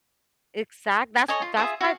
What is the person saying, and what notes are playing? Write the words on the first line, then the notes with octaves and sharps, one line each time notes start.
Exact That's that's why
A4 C#5 D#5 G#5
F4
F4 G#4 E5 D#6
F#4 F5